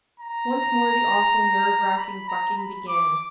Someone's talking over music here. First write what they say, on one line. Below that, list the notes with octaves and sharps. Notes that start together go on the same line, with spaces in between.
Once more the awful, nerve-racking bucking began.
A#5
B5
A#5
B5
D6